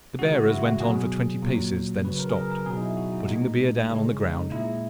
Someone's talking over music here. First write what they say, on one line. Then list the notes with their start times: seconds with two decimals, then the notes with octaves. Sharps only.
The bearers went on for twenty paces, then stopped, putting the bier down on the ground.
0.19 C#3 E3 G#3 F#4
0.35 F#4
0.50 E4
0.66 F#4
0.80 B2 F#3 G#4
1.42 A#2 F#3
2.04 C#3 F#3 B4
2.19 A#4
2.30 G#4
2.36 A#4
2.51 A#4
2.66 B2 F#3 G#4
2.77 D#4
2.82 E4
2.97 F#4
3.12 D#4
3.28 A#2 G#3
3.90 C#3 G#3 C#4
4.21 D#4
4.51 A#2 G#3 E4